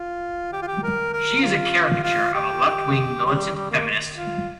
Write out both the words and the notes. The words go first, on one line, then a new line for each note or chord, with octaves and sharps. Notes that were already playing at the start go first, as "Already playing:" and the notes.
She is a caricature of a left-wing militant feminist.
Already playing: F4
G4
F4
G4
A#4
A#4
F4
F4
G4
G3
G3
A#3
F4